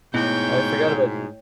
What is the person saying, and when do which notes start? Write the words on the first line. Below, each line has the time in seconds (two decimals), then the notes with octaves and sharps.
I forgot about
0.14 G#2 B2 A3 E4 C#5 D#5 G5